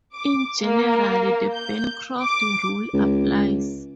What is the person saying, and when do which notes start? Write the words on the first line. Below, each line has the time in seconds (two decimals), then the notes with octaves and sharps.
In general, the Bancroft rule applies.
0.15 D6
0.61 A#3
1.54 G6
2.22 D6
2.94 C#2